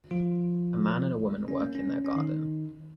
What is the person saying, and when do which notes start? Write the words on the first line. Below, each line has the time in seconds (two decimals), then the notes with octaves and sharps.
A man and a woman work in their garden.
0.11 F3 F4
1.48 C#4
1.61 A#3
1.75 C#4
2.05 C#4
2.16 D#3 D#4